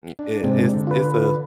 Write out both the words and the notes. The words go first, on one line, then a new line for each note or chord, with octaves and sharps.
m it it's it's a
D4
G#2 C3 G#3 C4 D4
D3
F4 B4